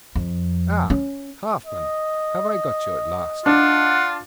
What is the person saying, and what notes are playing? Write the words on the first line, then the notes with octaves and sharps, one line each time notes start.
'Ah, Halfman, have I got you at last?
F2
C#4
D#5
D4 F4 F#5